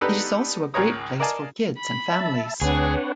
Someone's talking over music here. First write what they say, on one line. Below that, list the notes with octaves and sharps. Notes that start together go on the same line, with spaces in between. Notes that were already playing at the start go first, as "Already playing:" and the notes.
It is also a great place for kids and families.
B3 D4 D#4 G4 A4 B4
G#1 C#2 A#4 C#5 A#5 D#6
A#4 D5 D#5 F5 G#5 A5
B5
E5 A5
D2 C4 D4 G#4 B4 C#5 F#5